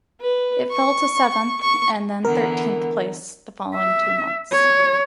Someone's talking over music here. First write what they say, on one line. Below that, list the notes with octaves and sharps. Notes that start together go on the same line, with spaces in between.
It fell to seventh and then thirteenth place the following two months.
B4
C#6
C#6
D3 E3 B3 A#4
E5
C#5